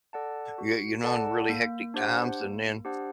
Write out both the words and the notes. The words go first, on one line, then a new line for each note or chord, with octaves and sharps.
y you know, in really hectic times, and then
A4 D5 F#5 A5
F#4
A4 D5 F#5 A5
A#3
D4 G4 C5 F#5
A#3
D4 G4 C5 F#5